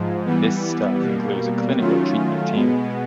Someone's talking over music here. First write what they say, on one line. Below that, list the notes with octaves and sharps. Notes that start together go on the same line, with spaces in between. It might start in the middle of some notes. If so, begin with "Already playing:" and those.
This staff includes a clinical treatment team.
Already playing: G#2 F3 G#3
E3 G3 B3
B2 G3 A#3
D#3 F#3 A3 C#4 F4
B2 G#3 B3